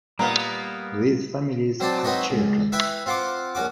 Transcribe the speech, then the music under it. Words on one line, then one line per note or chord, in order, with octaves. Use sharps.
These families have children.
A#2 G3 A#3 B3 D#5 A#5
F#3 C4 C5 D5 G5 A5
F#3 C4 D#4 B4 C#5 D#5
C#2
E4 B4 E5 G5 G#5 B5
C4 F4 F#5 C6 D6
A#1 C#4 F#4 D6